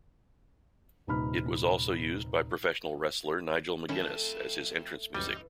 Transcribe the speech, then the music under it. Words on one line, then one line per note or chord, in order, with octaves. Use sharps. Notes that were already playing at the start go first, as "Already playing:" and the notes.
It was also used by professional wrestler Nigel McGuinness as his entrance music.
D#1 C3 D#4 B4 B5 F6
F2 D#3 A3 C#4 A5 B5
C#2 F#2 E3 G3 D#4